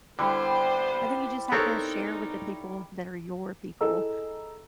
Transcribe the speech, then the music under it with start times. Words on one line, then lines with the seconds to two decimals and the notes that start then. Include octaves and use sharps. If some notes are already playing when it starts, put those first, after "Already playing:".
I think you just have to share with the people that are your people.
0.19 D3 G3 B3 E4 G4 C5
1.52 B3 C4 D#4 A4 A#4 C#5
3.81 E4 G#4 A4 D#5 A#5 E6